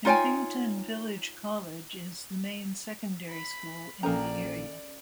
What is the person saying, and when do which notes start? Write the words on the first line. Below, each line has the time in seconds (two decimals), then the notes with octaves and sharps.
Impington Village College is the main secondary school in the area.
0.05 D#4 F4 C#5 G5 G#5
3.30 B5
4.03 A#1 A#3 C#4 A4 D5 G5 G#5 A#5